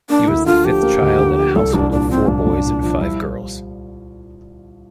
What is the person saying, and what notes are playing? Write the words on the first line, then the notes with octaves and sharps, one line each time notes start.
He was the fifth child in a household of four boys and five girls.
A#3 D4
D2 E4
D3 F4
F3 G4
A#3
D2
D3
F3
C2 A4
C2 D4
A#2 D4
F3 C4
C2 D4
C2
A#2
F3
G3 E4